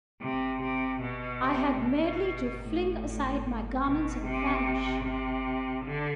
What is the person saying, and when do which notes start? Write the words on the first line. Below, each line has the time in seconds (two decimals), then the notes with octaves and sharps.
I had merely to fling aside my garments and vanish.
0.21 C3
0.62 C3
1.02 B2
1.42 C3
1.83 B2
2.63 A2
3.84 B2
4.25 C3
5.04 C3
5.85 D3